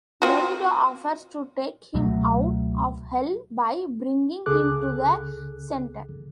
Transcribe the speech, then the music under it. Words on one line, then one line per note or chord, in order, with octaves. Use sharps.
Benito offers to take him out of Hell by bringing him to the center.
C4 F4 F#4
C#2 B2 F#3 A3
C#2 C#3 G#4 A4 D6 F#6